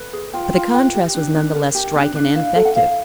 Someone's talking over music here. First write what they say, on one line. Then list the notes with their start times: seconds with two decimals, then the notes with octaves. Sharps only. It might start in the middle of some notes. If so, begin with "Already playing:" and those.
But the contrast was none the less striking and effective.
Already playing: B4
0.13 G#4
0.33 F4 G5
0.55 F4
0.74 B4 G5
0.95 G4
1.15 D4
1.35 D4
1.55 A#4
1.75 G4
1.95 D4
2.15 D4
2.35 E4 F5
2.55 A4
2.65 F#5
2.76 E4 F5